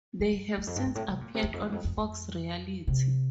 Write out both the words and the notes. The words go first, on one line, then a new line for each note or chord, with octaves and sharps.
They have since appeared on Fox Reality.
F2
G2
E2
F2
G2
G2
A2
C3
A#2
C3
E2
F2
E2
F2
F2
F2
C3